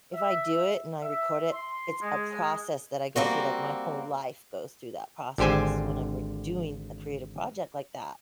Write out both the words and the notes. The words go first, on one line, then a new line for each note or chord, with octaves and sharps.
if I do it and I record it, it's a process that I go through, like, my whole life goes through that process when I'm re doing a creative project like that.
E5
E5
C6
G#3
G3 A#3 C4 F#4
G#1 D3 G4 C5 G#5